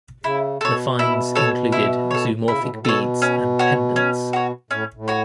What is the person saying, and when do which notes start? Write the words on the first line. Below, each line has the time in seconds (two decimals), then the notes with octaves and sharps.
The finds included zoomorphic beads and pendants.
0.24 C#3 E4
0.61 B2 A4 C#5
0.99 E4
1.35 A4 C#5
1.72 E4
2.11 A4 C#5
2.48 C#3 E4
2.58 B2
2.68 A2
2.80 B2
2.85 A4 C#5
3.22 C#4
3.59 F#4 C#5
3.96 C#4
4.33 F#4 C#5
4.71 A2 C#4
4.97 A2
5.08 F#4 C#5